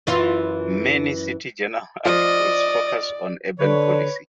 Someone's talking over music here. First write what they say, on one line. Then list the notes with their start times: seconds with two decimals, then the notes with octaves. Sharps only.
Many "City Journal" articles focus on urban policy.
0.07 F#2 E3 F4
2.05 F3 D5 D#5
3.59 D3 B4 C#5